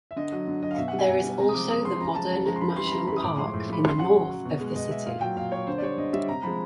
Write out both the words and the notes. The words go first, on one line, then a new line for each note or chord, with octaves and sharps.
There is also the modern National Park in the north of the city.
E5
D3 D#5
F#3
D3
F#3 D#5
F5
B2 E5
F#5
G3
G#5
B2
G3
C3 A#5
D#6
F3 G#3 D6
C3 D#6
F3 G#3 C6
C#3 A#5
F3 G#3 A5
C#3 A5
F3 G#3 A#5
C6
C#3 B5
E3 G3 C6
B5
C#3 A#5
E3 G3 B5
D#6
A2 D6
F3 G#3 C6
A2
F3 G#3 B5
C#3 C6
F#3 F#5
C#3
F#3
B2
G#3
B2 D#5
G#3 E5
A#2 F5
F#3 G5
A#2 F5
F#3 C#5
D3 C5
D5
G3 C#5
D3 D#5
G3 E5
C3 A#5
F3 G#3 B5